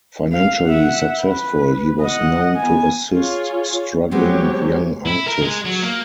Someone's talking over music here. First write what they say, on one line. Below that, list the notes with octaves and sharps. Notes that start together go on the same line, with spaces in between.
Financially successful, he was known to assist struggling young artists.
F5
E5 F#5
B4
D#5 F#5
B3 G#5
F4 G#4 C#5
F#3 G#3 B3 C4 G4 C#5
E4
A#4
G#3
F#3
A#3